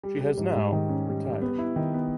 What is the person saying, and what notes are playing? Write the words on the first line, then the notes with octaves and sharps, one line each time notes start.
She has now retired.
G3
G3
G#2
G#2
D#3
C#4
G3
G3
B3
E4
D#3
B3